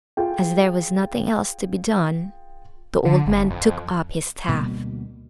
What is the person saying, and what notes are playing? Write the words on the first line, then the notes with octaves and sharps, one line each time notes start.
As there was nothing else to be done, the old man took up his staff.
F4 G#4 G5
D3
F#1
F2
D2 B2 G3 A#3